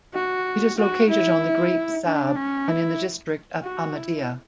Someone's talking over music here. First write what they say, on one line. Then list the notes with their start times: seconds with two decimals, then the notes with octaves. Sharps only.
It is located on the Great Zab and in the district of Amadiya.
0.14 F#4
0.78 F#4
1.10 E4
2.05 D4
2.36 C#4
2.68 E4
3.63 F#4
3.95 E4